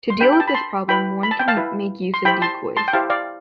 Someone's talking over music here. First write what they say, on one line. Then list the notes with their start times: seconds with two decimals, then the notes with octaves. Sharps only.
To deal with this problem, one can make use of decoys.
0.10 C6
0.20 D4 G4 B4 G5 B5
0.33 G5
0.40 A5
0.48 B5
0.54 A5 C6
0.88 E4 B4 G5 B5
1.23 B5
1.31 A5
1.39 G5
1.48 F5 A5
1.57 E4 B4
2.14 C6
2.25 E4 G4 C5 G5 B5
2.42 A5 C6
2.77 A5 C6
2.88 G5
2.93 E4 G4 C5 F5 A5
3.10 D5 F5